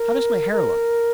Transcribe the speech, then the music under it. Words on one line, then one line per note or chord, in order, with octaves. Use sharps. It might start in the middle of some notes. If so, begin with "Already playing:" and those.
How does my hair look?
Already playing: A#4
A#4